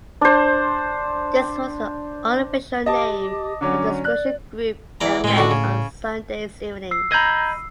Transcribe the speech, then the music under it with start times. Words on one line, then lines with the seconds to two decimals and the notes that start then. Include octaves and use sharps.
This was the unofficial name of the discussion group that met on Sundays evenings.
0.21 D4 C5
2.86 G4 D#5 A5 D6
3.61 D3 F#3 C#4 D6
4.05 D5 F#6
5.01 E2 D5 A#5
5.24 A2 G#3 C4
5.36 C#2 D3 F#4
5.51 C#3
6.91 E6 C7
7.12 D#5 A#5 B5 G6 G#6